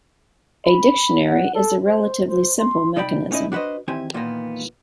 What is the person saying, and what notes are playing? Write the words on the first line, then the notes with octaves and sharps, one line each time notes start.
A Dictionary is a relatively simple mechanism.
B5
F#5
A4
C5
C5
C6
C2 D#4 D5 G5 B5
B3 C#4 D#4 E4 D#5
D4 F#4 B4 C5 D#5
E2 D#3 C4 E4 G4 G#5
E2 A#2 D#3 G3 A#3 B3